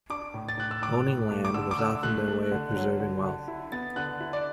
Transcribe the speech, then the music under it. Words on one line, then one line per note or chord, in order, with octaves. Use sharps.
Owning land was often their way of preserving wealth.
D4 D6
A2
A6
A2 F#6
E6
A2 D6
A2
A3
D6
D3 E6
D6
D3 E6
A3 F#6
A3
D3
F#3
D3
D3
E4
B3 A6
D3 F#6
E4
D5